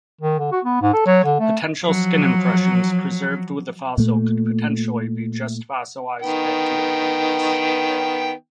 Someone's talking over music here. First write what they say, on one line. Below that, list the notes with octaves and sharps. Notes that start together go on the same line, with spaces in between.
Potential skin impressions preserved with the fossil could potentially be just fossilized bacterial mats.
D#3
D3
F#4
B3
G#2
A4
F#3
D3
A3
F3 F#3
A#2 A3
D#3 B3 G5